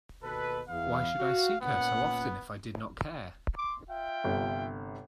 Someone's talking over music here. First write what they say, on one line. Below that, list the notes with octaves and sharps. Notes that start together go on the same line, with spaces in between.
Why should I seek her so often if I did not care?
D#2 B2 A4 B4
E2 B3 F5
F#4
A#2 B3 C#4 F#5
C6 D6
F4 E5 G5
G1 G2 C3